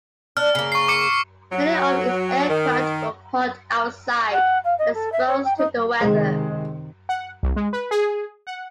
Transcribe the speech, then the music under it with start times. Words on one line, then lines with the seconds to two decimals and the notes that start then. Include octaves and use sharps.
Many of its aircraft were parked outside and exposed to the weather.
0.37 D4 F6
0.55 C#3 A#3
0.72 C#6 C7
0.88 D6 C#7
1.52 F#3
2.49 D#3
4.32 F#5
4.64 F5
4.78 D#5
4.94 A4
5.12 E5
5.27 C#5
5.45 G5
5.58 D#4
6.01 C3 D#3 G#3
7.09 F#5
7.43 C2
7.56 G#3
7.73 B4
7.91 G#4
8.47 F#5